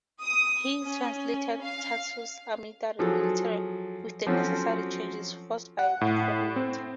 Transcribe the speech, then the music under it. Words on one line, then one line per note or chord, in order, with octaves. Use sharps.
He translated Tasso's "Aminta" literally, with the necessary changes forced by a different meter.
D#6
C#4
F5
F3 F#3 G#4 A4
F3 F#3 C4 C#4 F#4 A4
F#5
A2
C4